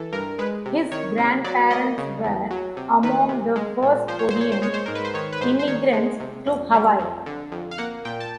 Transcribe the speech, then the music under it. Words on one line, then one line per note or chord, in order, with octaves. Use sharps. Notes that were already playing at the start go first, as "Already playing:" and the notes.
His grandparents were among the first Korean immigrants to Hawaii.
Already playing: E3 A4
G2 A#4
G#3 B4
C3
D#3 C#5
C3
F#3 D5
A#3 D#5
C#3
E2
F#3
C3
D#3 B4
C3
G#3
A#2
F3 C5
C#5
C5
A#2
C#5
C5
G#3 C#5
C5
G#2 A#4
B4
C5
D#3 C#5
B4
G#2 C5
C5
D#3 C#5
G#3
C3
F2
G3
F2
D3
F2
F5
A#3 F#5
A#2 G5
A5